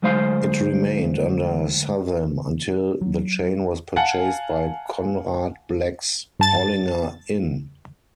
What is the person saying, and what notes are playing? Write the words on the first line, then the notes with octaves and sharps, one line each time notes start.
It remained under Southam until the chain was purchased by Conrad Black's Hollinger In.
D2 F#3 G#3 C5 F5 C6
F#3
F5 F#5 G#5 A5
G2 A5 A6